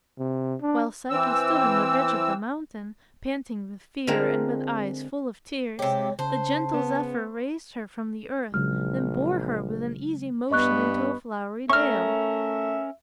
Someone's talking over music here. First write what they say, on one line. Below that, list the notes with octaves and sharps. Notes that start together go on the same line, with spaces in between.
While Psyche stood on the ridge of the mountain, panting with fear and with eyes full of tears, the gentle Zephyr raised her from the earth and bore her with an easy motion into a flowery dale.
C3
D4
E3 C4 E6
D3 G#3 C4 F4 A#4
C3 G#3 G4 C#5
C#3 C5 A5
B3
A#1 C#3 F#3 G#3 F6
G2 B3 D#5 C#6 F#6
A3 C#4 A#4 E5 C#6 F6